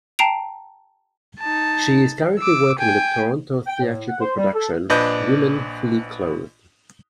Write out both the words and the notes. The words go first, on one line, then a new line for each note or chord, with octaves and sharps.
She is currently working in the Toronto theatrical production, Women Fully Clothed.
G5 A5 A#5 C7 D7 F7
D#4 A5
D6 E6
G5 G#5
G5
A2
F#5
C5
G3
A4
A#1 D4 B4 D#5 G6